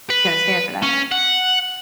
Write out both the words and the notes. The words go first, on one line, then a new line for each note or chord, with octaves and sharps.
gonna stand for that.
B4
C#4
F#5